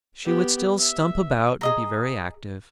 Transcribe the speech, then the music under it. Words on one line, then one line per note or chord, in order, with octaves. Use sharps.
She would still stump about and be very active.
B3 G4
E5
G#4 D#5 A#5